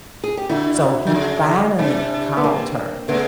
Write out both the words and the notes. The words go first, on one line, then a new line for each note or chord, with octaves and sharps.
So he finally called her,
G#4
G4
D3 E4 F#4
D3
C#3
C3 D4 E4
B3
A#3 C4
C#3 A3 B3